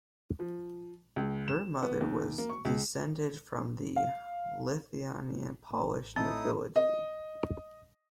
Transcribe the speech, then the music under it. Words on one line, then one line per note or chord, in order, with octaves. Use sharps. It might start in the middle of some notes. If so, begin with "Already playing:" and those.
Her mother was descended from the Lithuanian-Polish nobility.
F3
C#2
E7
B3
D#2
A#3
C#6
C#2
F5
A1
A2 C4 D#4 E4 D#6
D#5